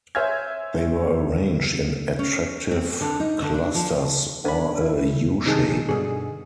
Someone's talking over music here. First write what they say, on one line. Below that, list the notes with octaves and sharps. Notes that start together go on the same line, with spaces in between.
They were arranged in attractive clusters or a U-shape.
C5 C#5 E5 G#5 F6 G#6
C#4
C4
D3
D#4
D3
D4
F3
D4 B5
E4
C3 D#3 G#3 D#4 G#4 A5
G2 B2 D3 G#4